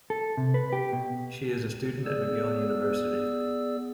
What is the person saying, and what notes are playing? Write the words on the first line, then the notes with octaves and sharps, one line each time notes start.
She is a student at McGill University.
A4
C3
B4
G4
B2
B3 G#4 D5 E6